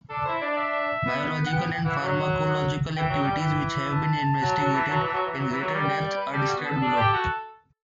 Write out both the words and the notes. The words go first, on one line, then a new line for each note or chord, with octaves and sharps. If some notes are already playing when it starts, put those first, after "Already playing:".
Biological and pharmacological activities which have been investigated in greater depth are described below.
D4 A4
E4 C5
D4 D5
D5
E5
B3
F#5
B3 G5
G5
E3 F#5
F#3
E3 G5
F#3
G3
E3
A5
F#3
F#3
E3
F#3
E3
F#3
E3
F#3
E3
F#3
G3
G5
D5
B4
G3 A4
F#4
B3
A4
D4
G4
F#4